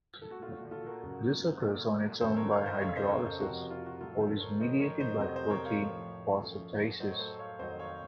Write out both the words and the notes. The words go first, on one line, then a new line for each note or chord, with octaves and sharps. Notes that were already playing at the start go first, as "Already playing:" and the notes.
This occurs on its own by hydrolysis, or is mediated by protein phosphatases.
A4
F#4
A#2 A3 F4
F#4
F4 A4
F#4 A#4
F#2 C#3 F#3
A#2 A3
F#2 D#3 A3 A4 C5
A#4 C#5
C#5 F5
C5 D#5
F2 C#3 A3 C#5 F5
C5 D#5
A#4 C#5
A4 C5
F2 C3 F3 F#4 A#4
F#4
F4
F#4
A2 F#3 A3 F4 A4
A4 C5
A#4 C#5
A2 F3 A3 C5 D#5
A#4 C#5
C5 D#5
F2 C3 F#3 A3 C5 D#5
C5 D#5
A#4 C#5
C#5 F5
A2 F3 A3
F#2 F3 A3
A2 F#3 A3 C5 D#5
C#5
A4 C5
C#5 F5
F2 D#3 F#3 A3 C5 D#5
C#5 F5